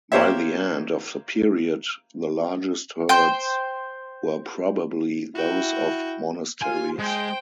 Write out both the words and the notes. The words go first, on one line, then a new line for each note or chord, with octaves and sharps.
By the end of the period the largest herds were probably those of monasteries.
A#3 G4 C5 C#5 E5
C5 G5
E4 F#4 G5
F4 G#5
G#3 C5 G5